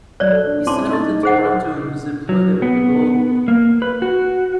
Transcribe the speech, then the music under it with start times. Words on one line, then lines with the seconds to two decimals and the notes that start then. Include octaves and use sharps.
He settled in Toronto and was employed at "The Globe".
0.20 F#3 C#5 D5 F#6
0.32 A4
0.47 D4
0.67 C4 C#4 E4 A5 C6 D6
0.89 D#4 D#5 A6
1.23 G#4 C5 F#5
2.29 F#3
2.62 B3
3.48 A#3
3.82 B4
4.02 F#4